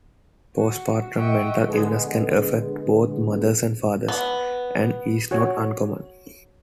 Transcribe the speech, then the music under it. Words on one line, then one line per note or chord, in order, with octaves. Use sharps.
Postpartum mental illness can affect both mothers and fathers, and is not uncommon.
F#4
D#5 E5 F#5 G5 C#6
D3 G#3 B3
B3
F#4 C#5